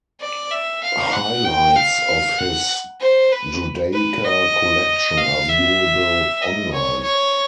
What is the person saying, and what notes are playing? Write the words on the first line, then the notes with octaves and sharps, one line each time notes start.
Highlights of his Judaica collection are viewable online.
D5
E5
F5
F#5
G5
F5
F#5
C5
B4
B4
D#5
F5
E5
D#5
C#5
C#5